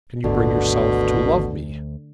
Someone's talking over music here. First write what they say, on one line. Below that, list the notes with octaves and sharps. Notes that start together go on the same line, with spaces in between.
Can you bring yourself to love me?
G#1 D2 B2 D3